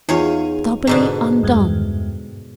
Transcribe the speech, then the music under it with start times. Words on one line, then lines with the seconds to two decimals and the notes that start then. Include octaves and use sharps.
Doubly undone!
0.09 E2 D#4 F4 G#4 C#5 F5
0.87 G#2 B2 D3
1.43 E2 G2 G#3